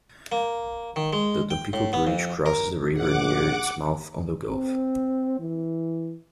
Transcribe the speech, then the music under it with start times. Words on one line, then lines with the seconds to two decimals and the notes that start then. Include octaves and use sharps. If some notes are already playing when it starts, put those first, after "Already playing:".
The Tampico Bridge crosses the river near its mouth on the Gulf.
0.32 A#3
0.96 D#3
1.13 G#3
1.51 G5
1.73 A2
1.93 B3
2.07 F2
2.46 A#4
2.94 A#1 D4 G#4 F#5 D6
4.49 C4
5.40 E3